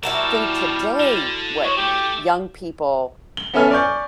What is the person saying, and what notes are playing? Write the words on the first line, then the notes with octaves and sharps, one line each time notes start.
think today what young people
B2 G3 E4 F#4 A#4 A5
D3
G#3 C5 C#5
A3 G4
G7
B3 C#4 A4 E5 G#5 F6
D5 G#5 C#6 G6